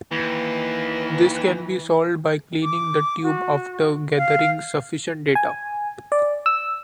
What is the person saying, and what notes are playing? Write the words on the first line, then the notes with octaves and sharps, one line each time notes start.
This can be solved by cleaning the tube after gathering sufficient data.
D#2 E3
D6
F#4
F5
G#5
D5
E6